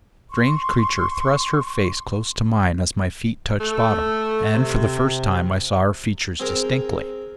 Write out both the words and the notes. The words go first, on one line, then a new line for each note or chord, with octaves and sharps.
The strange creature thrust her face close to mine as my feet touched bottom, and for the first time I saw her features distinctly.
C6 C#6
A3
C3
C4 G#4 A#4